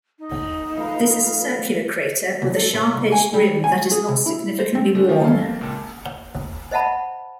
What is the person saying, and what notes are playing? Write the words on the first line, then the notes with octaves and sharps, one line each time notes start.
This is a circular crater with a sharp-edged rim that is not significantly worn.
D#4
F3 A3 B4 F5
C2
A4
A2
C2
G#5
G3
G#5
G#4
C3
E4
C5
C4
D3 F3 G#3 A3 D4
D#3 F3 C#4 D#4 G4
C#4 A4 F5
A#3 C4
C#2 A#2 A#4 A5
C5 D#5 E5 F#5 A5 B5